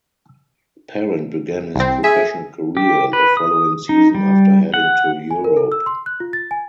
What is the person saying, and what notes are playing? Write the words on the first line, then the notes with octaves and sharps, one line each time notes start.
Parent began his professional career the following season after heading to Europe.
C2 C4
G#4 E5
G4
B4
D#6
D#4
G3
F#5
G#5
A#4
A4
E6
C6
F#6
F4
A6
G#5